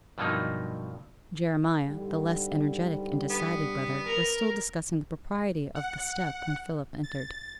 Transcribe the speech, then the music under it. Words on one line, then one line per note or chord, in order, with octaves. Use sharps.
Jeremiah, the less energetic and decided brother, was still discussing the propriety of the step when Philip entered.
G2 B2 F3 F#3 A#3 D#4
G#2 D3 G3
B3
A#4
F#5
A6